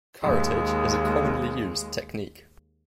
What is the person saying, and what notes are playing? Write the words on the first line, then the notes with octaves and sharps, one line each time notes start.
Curettage is a commonly used technique.
D#2 G#3